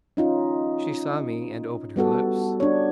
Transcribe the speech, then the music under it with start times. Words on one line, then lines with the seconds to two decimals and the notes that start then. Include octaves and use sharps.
She saw me and opened her lips.
0.17 C#4 D#4 F4
1.96 G3 B3 F#4 A4
2.60 D4 C#5